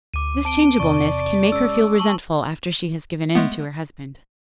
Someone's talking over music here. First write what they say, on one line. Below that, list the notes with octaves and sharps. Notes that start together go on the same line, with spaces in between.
This changeableness can make her feel resentful after she has given in to her husband.
D2 D6 D#7
C4 A5 D7 G7
E2 C3 D5 C#6
G#3 C#4 E6
A5 C#6 F#7
G#3 A3 B3